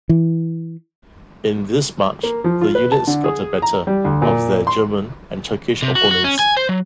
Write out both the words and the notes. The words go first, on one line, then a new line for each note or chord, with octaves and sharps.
In this march the units got the better of their German and Turkish opponents.
E3
A#3
F3
F4
B4
A5
D3
G#4
A#5
G3
D2
A#2
C6
C3
F#4
F#4
C#4
G#5
C5
F#3